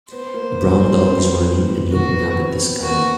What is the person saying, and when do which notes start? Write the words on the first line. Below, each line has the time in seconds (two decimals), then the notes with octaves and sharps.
A brown dog is running and looking up at the sky.
0.12 B3 C5
0.34 A#3
0.57 B3
0.79 C4
1.01 B3
1.92 A#3 F#4
2.14 B3
2.36 C4
2.59 B3
2.81 A#3 F#4